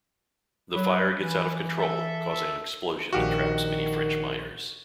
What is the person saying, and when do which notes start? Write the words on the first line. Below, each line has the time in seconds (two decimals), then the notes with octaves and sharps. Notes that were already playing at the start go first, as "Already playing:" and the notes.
The fire gets out of control, causing an explosion that traps many French miners.
0.72 F#3 B4
1.16 E3
1.77 A4 E5
3.13 A#1 D#3 F#4 G4 F5